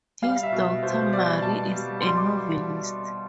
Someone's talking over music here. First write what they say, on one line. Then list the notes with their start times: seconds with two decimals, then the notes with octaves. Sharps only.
His daughter Marie is a novelist.
0.22 G3 F5
0.43 E5
0.53 B2
0.82 B2 C5
1.12 G3 D5
1.42 B2 A5
1.72 G3
2.01 G3 C6
2.17 D6